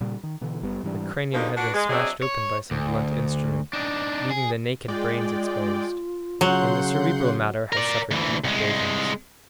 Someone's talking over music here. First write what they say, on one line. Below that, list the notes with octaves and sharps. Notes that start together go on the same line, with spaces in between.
The cranium had been smashed open by some blunt instrument, leaving the naked brains exposed, and the cerebral matter had suffered deep abrasions.
A#2 C#3 G3
D#3
B2 D3 E3
F#1 G3 B3
G#2 E3 G3 D4
B2 D3 F3 G3 A#3 D#4
D4 F#4 B4
G#3
F#3 C4 D4 G#4 D#5 E5
C#5
D2
D4 D#4
G#4
G#3 F4 D5 G5
C#3 F#3 F#5 C6 G6
A#4 D5
D2 E3
C2 G#3